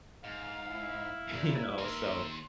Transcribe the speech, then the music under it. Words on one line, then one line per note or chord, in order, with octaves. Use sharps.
you know? So,
G#2 F5
E4
A#2
D#2 A#4 E5 C6